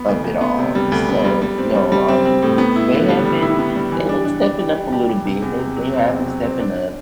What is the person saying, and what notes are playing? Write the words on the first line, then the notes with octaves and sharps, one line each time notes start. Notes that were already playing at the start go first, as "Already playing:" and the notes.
of it all. So, no, um, th they have been they've been stepping up a little bit. They they have been stepping up.
Already playing: B3
D2
D2
B3
C3
G3
D2
B3
G3
G3
C4
G3
G3
C4
C4
A2
B3
E4
D3
G3
G3
E4
B3
G3
E3
D4
D4
D4
G4
G4
G4
G4
C3
E2
C3
F#3
C4
E2
F#3
C4
D4